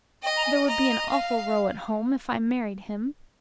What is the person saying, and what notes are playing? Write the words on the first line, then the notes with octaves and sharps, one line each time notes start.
There would be an awful row at home if I married him.
D#5 G5
A#5
G#5
D#5 A#5
F5